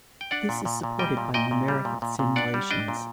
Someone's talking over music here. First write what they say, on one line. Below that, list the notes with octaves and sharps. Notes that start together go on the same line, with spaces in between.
This is supported by numerical simulations.
G5
D4 D5 F#5
A#2
A#2
A#2
G3 D#5 G5
A#2
A#2 D#5 G5
A#2
G3
A#2
A#2
A#2
D4 D5 F#5
G3
D4 D#5 G5
A#2